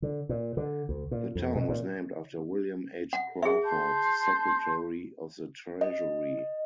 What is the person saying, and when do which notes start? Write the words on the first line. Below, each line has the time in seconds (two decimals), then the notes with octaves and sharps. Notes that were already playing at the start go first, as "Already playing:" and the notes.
The town was named after William H. Crawford, Secretary of the Treasury.
0.02 D3
0.29 A#2
0.57 D3
0.89 D2
1.11 A#2
1.35 F2
1.55 B2
1.69 A#2
3.13 F#5
3.43 G#4 E5
3.64 A5 C6 G6
5.81 D#5